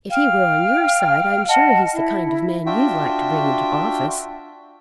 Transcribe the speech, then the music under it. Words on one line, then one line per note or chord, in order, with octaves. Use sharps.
If he were on your side I'm sure he's the kind of man you'd like to bring into office.
F5 G5 F6
D#5 F#5 A5
E4
D4 F4 F#4 E5 G5